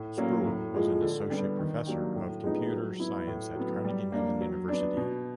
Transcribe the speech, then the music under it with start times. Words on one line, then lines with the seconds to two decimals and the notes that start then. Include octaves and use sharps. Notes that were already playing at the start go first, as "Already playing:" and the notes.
Sproull was an Associate Professor of Computer Science at Carnegie Mellon University.
Already playing: A2
0.18 F#3 A#3 C#4
0.45 A2
0.74 F3 G#3
1.02 D3
1.30 G3 B3 D4 G4
1.59 D#3
1.87 F#3 A#3 D4 G4
2.15 A2
2.43 F3 G#3 B3 D#4
2.72 F#3
3.00 B3 E4
3.27 A2
3.56 F#3 B3
3.84 G3
4.12 A#3 D4
4.41 F#3
4.68 B3 D4
4.97 B2